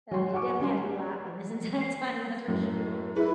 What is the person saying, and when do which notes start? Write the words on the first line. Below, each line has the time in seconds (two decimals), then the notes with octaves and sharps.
uh, you definitely had me laughing this entire time, that's for sure.
0.11 F#3 C6
0.33 F#5 G#5 C#6 D6
0.60 G3 C#4 G#5 C6
1.81 C7
2.48 F#2 A2
3.16 E4 G#4 B4